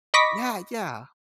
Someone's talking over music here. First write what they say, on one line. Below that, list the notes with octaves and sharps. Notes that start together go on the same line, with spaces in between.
Yeah, yeah.
D#5 B5 C#6 D6 A#6 B6